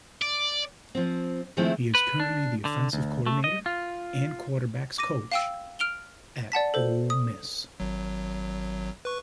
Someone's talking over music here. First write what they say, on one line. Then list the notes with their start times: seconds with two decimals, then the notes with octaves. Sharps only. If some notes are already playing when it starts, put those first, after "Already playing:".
He is currently the offensive coordinator and quarterbacks coach at Ole Miss.
0.22 D5
0.95 F3 C4
1.57 D#3 F3 G#3 A3 C4 E4
1.95 B4
2.20 D4
2.65 D3
2.93 D2
3.26 A3
3.44 D#5
3.66 F4
4.98 D6 A#6 D#7
5.32 F5 G5 E6
5.79 F6 D7 F7 G7
6.52 D5 F#5 A5 B6
6.74 A4 C5
7.10 D#6
7.80 G#1 F#3
9.05 B4 C#6